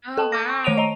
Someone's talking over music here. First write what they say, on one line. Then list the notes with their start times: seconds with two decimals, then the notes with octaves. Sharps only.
Oh, wow.
0.17 A4 G5 A5
0.32 D6 A#6
0.49 C#6
0.64 D#3 C#5 D7 D#7 F7
0.77 D#5 A#5